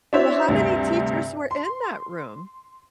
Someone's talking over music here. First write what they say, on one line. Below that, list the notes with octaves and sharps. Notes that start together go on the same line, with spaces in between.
Well, how many teachers were in that room?
D4 E4 F#4 C5 C#5 E5
D2 G2 C3
C6